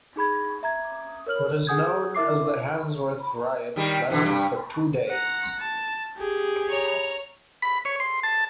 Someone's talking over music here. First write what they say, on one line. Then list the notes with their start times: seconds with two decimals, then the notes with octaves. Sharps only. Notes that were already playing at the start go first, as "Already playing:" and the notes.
What is now known as the Handsworth Riots lasted for two days.
0.16 D#4 G#4 B5 G#6
0.63 E5 A#5 G#6
1.27 A#4 C#5 F6 F#7
1.67 G#4 F#5 G#5 D#6 G6 G#6
2.15 E4 A#4 E5 D6 C7
3.76 D#3 G3
4.10 B2 D3 E3
4.23 G2 G3
5.09 F#5 A#5
5.60 A5
6.18 G4 G#4
6.70 C#5 A#5
7.62 B5
7.85 C#5
8.00 C6
8.23 A5